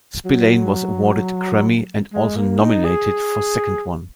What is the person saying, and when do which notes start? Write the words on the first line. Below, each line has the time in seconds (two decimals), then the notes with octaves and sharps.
Spillane was awarded a Grammy and also nominated for second one.
0.25 F#3
2.13 G#3
2.37 A#3
2.61 D#4
2.85 G#4